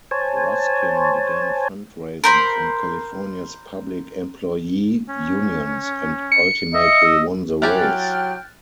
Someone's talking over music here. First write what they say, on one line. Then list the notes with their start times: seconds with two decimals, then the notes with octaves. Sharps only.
Ruskin began fundraising from California's public employee unions and ultimately won the race.
0.11 C5 C#5 G#5 A5
2.24 A#4 C5 B5
5.09 C#4
6.32 C#7
6.74 D#5 E5
7.04 E6
7.62 F#3 E4 G4 G5 G#5 F6 F#6 A6